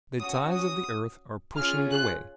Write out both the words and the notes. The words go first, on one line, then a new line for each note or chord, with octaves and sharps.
The tides of the earth are pushing it away.
C#4 F#4 D#6
D#6
C#4 F4 G#4 F6
F#6